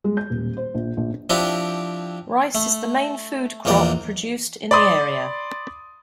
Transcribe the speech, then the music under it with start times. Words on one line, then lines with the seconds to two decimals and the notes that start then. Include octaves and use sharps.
Rice is the main food crop produced in the area.
0.04 G#3
0.17 G6
0.30 D#1
0.57 C5
0.74 A#1
0.97 A#1
1.30 F3 C4 D4 E4 G4
2.55 A3
3.65 A#1 E2 A#3 C5 D5
4.71 D5 B5 C6 D#6